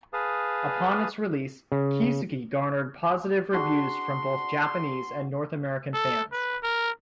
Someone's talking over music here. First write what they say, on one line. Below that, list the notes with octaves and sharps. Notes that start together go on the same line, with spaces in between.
Upon its release, "Kiseki" garnered positive reviews from both Japanese and North American fans.
G#4 B4 F5 A5 D#6
C#3
D4 F#4 G#4 C6
A4
B4
A#4